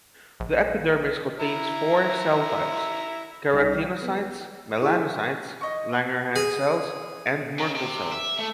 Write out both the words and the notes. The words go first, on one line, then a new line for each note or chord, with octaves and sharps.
The epidermis contains four cell types: keratinocytes, melanocytes, Langerhans cells, and Merkel cells.
A#1
E4 A#5
C2 G3 D#4 D5 G5 F6
B3
E4 G4 G#4 E5 C#6
G#5
D#5 C#6
G#4
C#3
C3
E5
A3